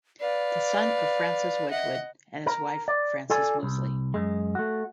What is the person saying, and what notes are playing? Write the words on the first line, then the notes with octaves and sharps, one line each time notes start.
The son of Francis Wedgwood and his wife Frances Mosley.
B4 D5 F5
D#5 E5 F#5
A#4
D5
F4 A4 D5 G#5
C2
F#2 G#3
A3 F#4